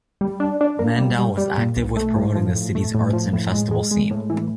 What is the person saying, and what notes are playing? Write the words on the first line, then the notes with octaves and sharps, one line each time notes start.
Mandel was active with promoting the city's arts and festival scene.
G3
D4
D4
A#3
G3
G3
G3
A#2
B1
A3
A2
F3
A2
A3
A2
F3
A2
G#3
G#3
G#3
A2
E3